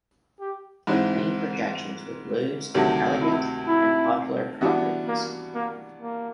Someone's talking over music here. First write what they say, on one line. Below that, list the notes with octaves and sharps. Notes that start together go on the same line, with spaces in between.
Many projections would lose their elegant and popular properties.
G4
G#2 E3 G#3 C4 D#4
D2 C3 D#3 F#3 A3
E4
E4
E3 G3 B3 D4 F#4
A#3
A#3
A#3